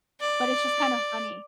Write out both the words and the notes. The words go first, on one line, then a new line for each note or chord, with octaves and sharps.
But it's just kinda funny.
D5